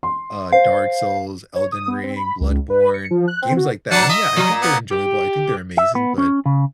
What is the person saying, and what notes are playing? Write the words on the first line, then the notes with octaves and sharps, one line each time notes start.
uh, Dark Souls, Elden Ring, Bloodborne, games like that, and, yeah, I think they're enjoyable; I think they're amazing, but
C6
C5 F5
C#5
D#6
B3
C4
B5
C#2
B4
C#7
F3
F#6
C4
F#4
F3 F#3 D4 F#5 A5
D#5 E5
F3
A#2
B3
G4
E5
B3
C#4
C#3